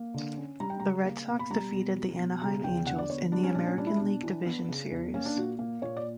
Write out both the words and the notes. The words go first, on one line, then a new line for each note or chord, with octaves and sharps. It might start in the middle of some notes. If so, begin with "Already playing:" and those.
The Red Sox defeated the Anaheim Angels in the American League Division Series.
Already playing: A#3
D3
C#4
G3 A#5
G5
C#3 A#5
A#3
B2
B5
G3 A#5
B2
F#3
B2
C#3 A#5
E2 G5
D3 F#5
D5
B3 C#5
G3 D4
C#4
A#2 D4
C#4
G3 D4
E4
B2 D4
E3
B3
C#3
E2
A#3 C#4
D4
A#2 F#4
A#3
A#2 C#5
D5